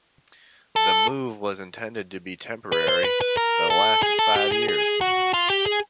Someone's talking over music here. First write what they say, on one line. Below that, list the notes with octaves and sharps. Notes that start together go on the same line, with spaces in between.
The move was intended to be temporary, but lasted five years.
A4
B4
C5
B4
B4
A#4
A4
G#4
A4
G4
G#4
G#4
F#4
F4
G4
G#4